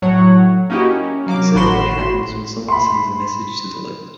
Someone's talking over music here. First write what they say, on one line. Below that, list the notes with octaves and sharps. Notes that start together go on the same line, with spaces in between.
Consider what happens when someone sends a message to the list.
A2 F#3 C#5 F#5
A#3 C#4 D#4 E4 F#4 G4
C#4
F#3 A#3 D6
G#1 A2 F#4 B5 C6 E7
B5 C6